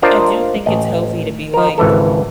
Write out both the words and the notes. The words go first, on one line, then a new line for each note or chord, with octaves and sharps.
I do think it's healthy to be like,
D4 F4 A#4 C5 D5 D#5
A1 D#5
F3 A#4
G#1 C#2 E3 A4